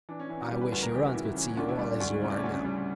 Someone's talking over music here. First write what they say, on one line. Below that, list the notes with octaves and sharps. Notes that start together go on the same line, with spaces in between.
I wish your aunt could see you all as you are now.
E3 D4
C#4
E3 E4
F#4
G3 G4
B4
D2 B4
A#4
E3 G4
F#4
C#3 E4
E4
E3 C#4
C#4
D2 D4
E4
G3 D4
D2
C#3 E4
D4
C#4
D2 D4
G3